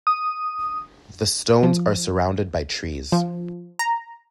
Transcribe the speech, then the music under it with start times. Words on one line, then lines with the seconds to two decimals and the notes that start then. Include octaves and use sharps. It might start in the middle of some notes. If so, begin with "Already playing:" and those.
The stones are surrounded by trees.
0.07 D#6
1.63 F3
3.12 F3
3.79 A#5